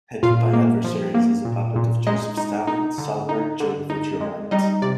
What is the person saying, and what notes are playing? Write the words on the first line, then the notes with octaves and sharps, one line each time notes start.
Heckled by adversaries as a puppet of Joseph Stalin, Salsberg joked that You're right.
A#2 F4 F5
A#3
F3
A#3
A#2
A#2
G#3 D#4 D#5
D#4
D#4
D3
D#4
D3
D#4
G#3
G3 D#4 D#5
C3 D5